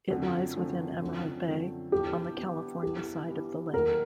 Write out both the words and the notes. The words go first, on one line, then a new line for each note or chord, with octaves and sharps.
It lies within Emerald Bay, on the California side of the lake.
F#2 D3 F3 A3 C4 F#4
F#2 D3 F3 A3 C4
F#2 D3 F3 A3 C4
F#2 D3 F3 A3 C4
G2 E3 G3 B3 E4 G4
G2 E3 G3 B3 E4
G2 E3 G3 B3 E4 G4
G2 E3 G3 B3 E4
D#2 D#3 F#3 A#3 A#4